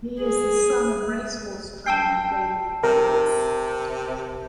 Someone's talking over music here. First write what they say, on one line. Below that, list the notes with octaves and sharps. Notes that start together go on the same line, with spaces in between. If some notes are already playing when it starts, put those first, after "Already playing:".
He is the son of racehorse trainer David Hayes.
G#4
G5 A5 E6 C7
C3 A#4